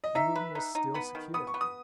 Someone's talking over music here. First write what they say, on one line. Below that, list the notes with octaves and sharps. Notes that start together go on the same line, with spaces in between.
England was still secure.
D#5
D#4 E5
B4
D#4
D#4
B3 B5
D#3
B3 D#6
C#6
B3
D#6